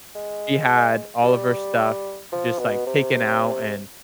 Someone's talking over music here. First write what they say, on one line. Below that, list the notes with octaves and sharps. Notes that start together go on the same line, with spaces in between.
she had all of her stuff just, like, taken out, and,
G#3
G3
F3
B2
C3